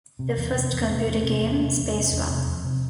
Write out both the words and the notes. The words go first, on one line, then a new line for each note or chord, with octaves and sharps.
The first computer game, Spacewar!
C3
E2
C3
E2
C3
E2
C3 C4
E2
D4
C3
E2 A#3
C3
E2
C3
F2
C3